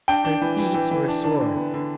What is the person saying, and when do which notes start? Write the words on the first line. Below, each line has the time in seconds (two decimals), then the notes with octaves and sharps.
Her feet were sore.
0.08 D4 G5
0.25 D4
0.42 E3
0.58 E3
0.74 E3
0.91 E3
1.08 D4
1.24 D4
1.41 D3
1.56 B3
1.74 D3